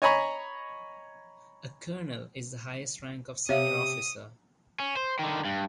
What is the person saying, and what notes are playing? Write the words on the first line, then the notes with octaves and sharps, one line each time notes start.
A colonel is the highest rank of senior officer.
C#5 D#5 G#5 A#5 B5 C#6
C3 C#5 E5 F5 D#6
C#4
C5
D3 D#3
G2